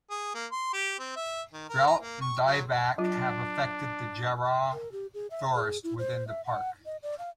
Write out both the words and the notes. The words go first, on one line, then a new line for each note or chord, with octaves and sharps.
Drought and dieback have affected the jarrah forest within the park.
G#4
A#3
C6
G4
C4
E5
D#3
A#4
A#5
A#3
C#6
F#3
F#3 D4 F4
A#4
G4
G#4
E5
G#4
E4
C5
E5
F#5
D#5
D5
F5